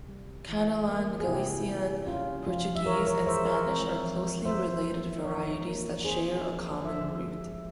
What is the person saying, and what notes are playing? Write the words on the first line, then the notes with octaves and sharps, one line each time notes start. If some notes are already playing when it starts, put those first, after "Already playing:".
Catalan, Galician, Portuguese, and Spanish are closely related varieties that share a common root.
Already playing: C3
G3
E3
A#3
G#4
C3 E4 G4
G3
C#4 F4
F3 F4
E5
E3 A#4 C#5
A#4 C#5
G#3 C5 E5
A#4 C#5
C4
F3
F3 C5 E5
A#3
E3 A#4 C#5
A#3
C4 G#4 C5
F3
F3 C5 E5
G#3